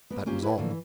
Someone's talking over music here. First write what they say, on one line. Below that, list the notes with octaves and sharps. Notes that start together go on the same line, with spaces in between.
That was all.
A#3 B3
A#3 C#4 F4 G4
E4 B4 C#5 F#5
A2 D3 E3 F3 A#3
E3